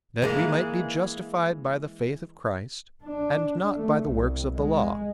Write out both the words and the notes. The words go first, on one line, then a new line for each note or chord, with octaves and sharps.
That we might be justified by the faith of Christ, and not by the works of the Law.
E3 G#3 A#3
D4
A3
C2
G#3